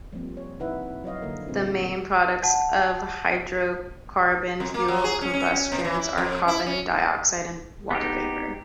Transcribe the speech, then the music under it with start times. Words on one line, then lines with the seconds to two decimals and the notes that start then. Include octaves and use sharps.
The main products of hydrocarbon fuel combustion are carbon dioxide and water vapor.
0.12 F3 G3 A#3 C4
0.37 C#5
0.60 C3 D#4 E4 B4 E5 F#5
1.04 F#3 C#5 D#5 F5
1.22 D3 A#3 A#4
1.47 A#2 G#3 C4 F4
2.43 F#5 A5
4.60 F2
4.74 A#3
4.88 F#3
5.04 G#4
5.21 C#4
5.34 C#4
5.72 B2
5.85 E3
5.99 E4
6.18 F2
6.48 E4
6.67 C#4
7.91 B3 D#4 G4